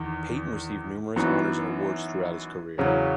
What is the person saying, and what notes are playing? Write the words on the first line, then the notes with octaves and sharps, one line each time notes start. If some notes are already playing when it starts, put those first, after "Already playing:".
Payton received numerous honors and awards throughout his career.
Already playing: E2 D#3
F#2 E3 B3 D#4 F#4
E2 C#3 F#3 C#4